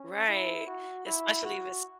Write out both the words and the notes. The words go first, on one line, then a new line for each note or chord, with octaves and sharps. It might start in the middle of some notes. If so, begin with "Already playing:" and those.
Right, especially if it's
Already playing: C#4
E4
F#4
E4
F#4